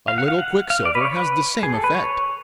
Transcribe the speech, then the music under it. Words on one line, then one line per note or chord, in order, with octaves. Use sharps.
A little quicksilver has the same effect.
F5
F#5
F5
F#5
F5
D5
B4
C#5
B4
G#4
A4
B4
C#5